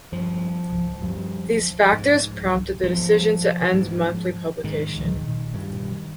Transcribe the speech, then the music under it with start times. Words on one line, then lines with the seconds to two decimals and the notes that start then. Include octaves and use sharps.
These factors prompted the decision to end monthly publication.
0.12 G2 F3
1.02 G2
1.93 G#2
2.83 G#2 F3
3.73 G#2
4.64 G#2 D#3
5.54 G2